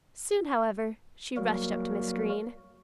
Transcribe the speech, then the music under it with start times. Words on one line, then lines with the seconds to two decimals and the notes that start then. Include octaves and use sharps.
Soon, however, she rushed up to Miss Green.
1.37 F#3 G3 A#3 F#4 A#4